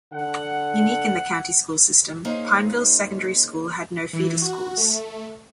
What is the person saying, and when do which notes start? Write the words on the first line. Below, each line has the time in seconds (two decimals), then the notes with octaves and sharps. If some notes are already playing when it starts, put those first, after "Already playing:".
Unique in the county school system, Pineville's secondary school had no feeder schools.
0.13 D3 F#5
2.25 A#3 C#4 D#4 G#4 C5
4.13 E3
4.42 F#4
4.77 A3